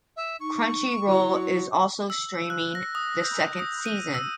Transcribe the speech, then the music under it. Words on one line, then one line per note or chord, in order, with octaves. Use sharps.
Crunchyroll is also streaming the second season.
E5
D#4 C#6
F#3 E4
E6
F#6
A#6
D#6
G6
D#6
D#7
E6